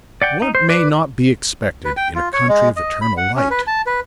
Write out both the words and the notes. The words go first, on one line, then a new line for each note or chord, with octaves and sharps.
What may not be expected in a country of eternal light?
D5 F#5 G5
D#4
C5
B4 D5
B4
G5
F4
C#5
G#3
D#5
B5
F#5
C#4
B4
A5
B4